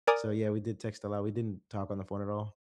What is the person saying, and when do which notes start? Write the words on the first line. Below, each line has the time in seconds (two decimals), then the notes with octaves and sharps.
So yeah, we did text a lot, we didn't talk on the phone at all.
0.07 A#4 D5 G#5 A#5 D#6